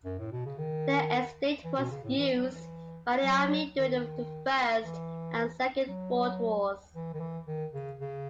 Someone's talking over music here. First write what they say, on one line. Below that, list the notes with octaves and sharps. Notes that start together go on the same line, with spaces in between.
The estate was used by the army during the First and Second World Wars.
F#2
A2
B2
C#3
D#3
E3
B2
C#3
A2
E3
F#3
E3
F#3
D#3
E3
F#3
E3
D#3
E3
D#3
C#3
C#3